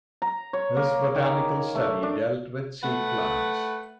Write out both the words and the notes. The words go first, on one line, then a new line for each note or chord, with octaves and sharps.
His botanical study dealt with seed plants.
A#5
C#5
A#3
D#3
A3
D4
A3 B4 F#5